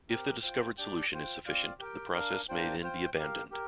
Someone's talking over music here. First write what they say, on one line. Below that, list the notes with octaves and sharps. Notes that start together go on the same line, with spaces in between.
If the discovered solution is sufficient, the process may then be abandoned.
C4 G4 A#4
F4 C5 G5
D4 G4 D5 G5
F4 C5 G5
C4 F4 D5 F5
G4 A#4 G5
D4 A#4 F5
A#3 D4 F4 C5 G5
F4 C5 G5
G4 A#4 F5
G4 A#4